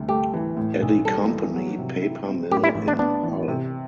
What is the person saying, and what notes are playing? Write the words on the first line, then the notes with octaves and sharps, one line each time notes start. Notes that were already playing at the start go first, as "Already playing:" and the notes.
Eddy Company paper mill in Hull.
Already playing: D2 C3 G3
A3 G4
E3
A2
B1
G3 A4
E3
F#3
C3
E4
C4
A2 G4
E4
A1
D4
B3 D4
E3
C3